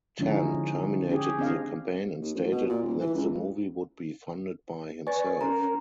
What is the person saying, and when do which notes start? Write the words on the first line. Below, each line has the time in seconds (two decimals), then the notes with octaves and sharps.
Tan terminated the campaign and stated that the movie would be funded by himself.
0.19 D3 F3 G#3 C#4 D#4 E4
1.09 C#4 G4 G#4
1.39 C4 D4 D#5 F5
2.22 D#2
2.35 A1
2.51 B2
2.69 A#2
2.83 D#1
3.01 E3
3.15 C#2
5.07 B4 D5 G#5 C#6 A6
5.41 C#4 A#4 A#5 C6